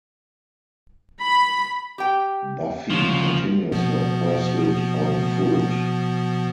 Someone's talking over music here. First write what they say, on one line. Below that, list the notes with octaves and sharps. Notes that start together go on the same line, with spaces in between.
Buffy continues her pursuit on foot.
B5
G4 G5
D2 C#3 F3
B2 F3 B3